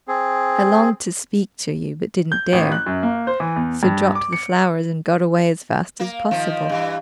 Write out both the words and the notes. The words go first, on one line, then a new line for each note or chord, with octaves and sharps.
I longed to speak to you, but didn't dare, so dropped the flowers and got away as fast as possible.
C4 G#4
G6
A1
F#6
F#2
A#3
C5
E3
E2
G2
D6
C#7
A#3
D#3 F3
G2 E3